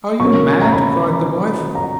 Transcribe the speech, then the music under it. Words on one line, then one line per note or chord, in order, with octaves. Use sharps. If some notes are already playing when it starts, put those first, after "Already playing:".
'Are you mad?' cried the wife.
B2 A#3 C#4 C#6
A#5
B5
A#5